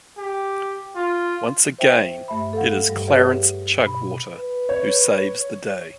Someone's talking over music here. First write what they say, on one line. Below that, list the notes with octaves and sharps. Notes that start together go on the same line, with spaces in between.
Once again it is Clarence Chugwater who saves the day.
G4
F4
C5 E5 G5
G2 A3 E5 B5
A4 F5 F#5
G2 G3
G4 G#4 B4 C#5 E5 F#5
B2 B5
B4
C#5